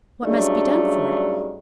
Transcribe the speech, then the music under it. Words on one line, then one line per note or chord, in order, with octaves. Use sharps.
"What must be done for it?"
G2 C#3 F#3 A3 D4 D#4